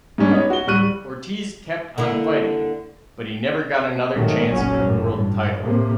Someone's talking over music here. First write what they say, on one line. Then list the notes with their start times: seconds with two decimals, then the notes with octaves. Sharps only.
Ortiz kept on fighting, but he never got another chance at a world title.
0.18 G#2 G3 C#4 D4
0.31 B3 D#4 C#5
0.50 F#4 G7
0.67 D1 G3 C#6 F#6 D#7
1.98 D3 A#3 E4
4.15 G#2 D#3 F#3 A3
4.51 F#1 B1 A#2 F#3 C#4
4.84 F#2 A2 E3
5.14 G2
5.63 A2 C3 A#3